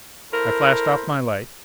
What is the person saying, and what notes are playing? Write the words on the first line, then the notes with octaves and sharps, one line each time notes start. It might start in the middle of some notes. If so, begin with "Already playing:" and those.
I flashed off my light.
E4 A4 A#4 C5